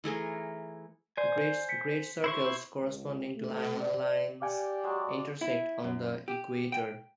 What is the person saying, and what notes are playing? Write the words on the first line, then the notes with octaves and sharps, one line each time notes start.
Great circles corresponding to parallel lines intersect on the equator.
E3 A3 G#4 A#4
C5 D5 G#5
B6 C#7
E4 C5 C#6
C#2
A3
D5
G4 D5 F5 G#5
F#3 G#3
E4
F#2
G4
G5